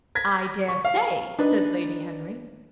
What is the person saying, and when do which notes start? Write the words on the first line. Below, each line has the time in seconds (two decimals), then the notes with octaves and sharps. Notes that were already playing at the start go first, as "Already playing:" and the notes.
"I dare say," said Lady Henry.
0.15 G#6 A#6 B6
0.68 C#6
0.85 F5
1.39 D4 D#4 B4